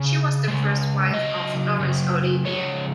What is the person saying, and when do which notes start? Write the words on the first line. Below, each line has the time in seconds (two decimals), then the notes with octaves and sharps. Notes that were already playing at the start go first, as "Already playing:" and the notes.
She was the first wife of Laurence Olivier.
Already playing: C#3
0.48 C#3 G#3
1.13 C#3 F#3 D#5
1.80 C#3 F#3
2.45 C#3 F3 G#3 C#5